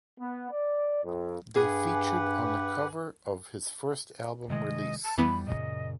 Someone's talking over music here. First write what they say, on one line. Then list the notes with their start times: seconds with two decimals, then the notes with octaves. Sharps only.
They featured on the cover of his first album release.
0.20 B3
0.51 D5
1.04 F2
1.56 G2 G4 G#4 B4 F#5
4.50 C3 D#3 G#3 D#5
5.04 A5
5.18 F2 E3 G3 B3 B5
5.47 F#2 A#2 C#3 D#5